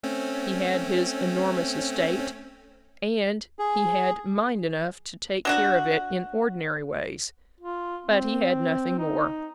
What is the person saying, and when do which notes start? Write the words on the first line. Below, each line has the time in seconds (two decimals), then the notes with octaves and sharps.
He had his enormous estate, and he had mind enough to take care of it in ordinary ways; but he had nothing more.
0.03 A3 C4 C#4
3.59 G#4
5.45 F#3 D4 F#4
7.60 F4
8.06 C4
8.99 D#4